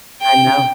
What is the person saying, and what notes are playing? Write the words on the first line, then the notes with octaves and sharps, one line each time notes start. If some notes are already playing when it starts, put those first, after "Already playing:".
I know.
G5